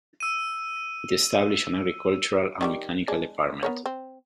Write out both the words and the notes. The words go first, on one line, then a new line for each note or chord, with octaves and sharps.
It established an Agricultural and Mechanical department.
E6 D#7
D#3 G3 G4
G#3 D4
B3 A#4 C#5
C4